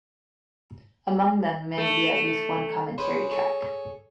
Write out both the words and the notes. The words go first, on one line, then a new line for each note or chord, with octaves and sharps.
Among them may be at least one commentary track.
A3
C#4 G#4 B4 C5
G#4 A4 C#5